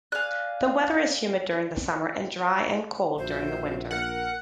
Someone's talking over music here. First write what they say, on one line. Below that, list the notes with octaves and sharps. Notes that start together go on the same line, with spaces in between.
The weather is humid during the summer and dry and cold during the winter.
D5 F5 G#5 F#6
A#1 F#4 C5 E5
A#3 A#4 F#5